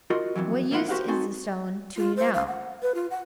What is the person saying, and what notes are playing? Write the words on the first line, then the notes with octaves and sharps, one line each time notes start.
What use is the stone to you now?
F4 F#4 A#4 D#5 C6
F2 C3 E3 F#3
A2 A#3 E4 F4 F#5
F#4 G4 A#4 C5 F5 F#5
C4 D#4 F#4 A4 G#5 C6
F4
C5
F5
F#5
B4
F4
F#5